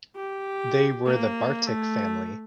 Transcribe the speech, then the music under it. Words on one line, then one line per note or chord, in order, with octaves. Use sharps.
They were the Bartik family.
G4
A#3
A3